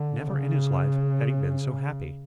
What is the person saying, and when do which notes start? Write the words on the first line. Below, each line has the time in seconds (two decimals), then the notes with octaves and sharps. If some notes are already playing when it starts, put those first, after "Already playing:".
Never in his life had he been so happy.
Already playing: D3
0.24 C#3